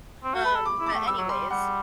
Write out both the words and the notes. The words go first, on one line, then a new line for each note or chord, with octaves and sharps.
um, but, anyways
C4
F#4
B4 B5
A4
D6
E4
D6
A3
G3 E6
F#3
G3 C6
G3 F#5